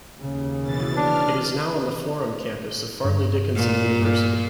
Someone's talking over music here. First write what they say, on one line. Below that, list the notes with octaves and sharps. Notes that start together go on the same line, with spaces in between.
It is now on the Florham Campus of Fairleigh Dickinson University.
D#2 C#3
B2 E3 A6
D4 F6
G2
A#2
G2